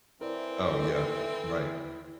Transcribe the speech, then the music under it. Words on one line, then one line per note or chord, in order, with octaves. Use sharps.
Oh, yeah. Right.
E3 C4 E4 A#4 C5 D5
A4